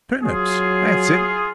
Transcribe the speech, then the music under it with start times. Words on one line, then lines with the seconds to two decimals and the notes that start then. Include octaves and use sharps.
Turnips! that's it!
0.24 F#3 F4 G#4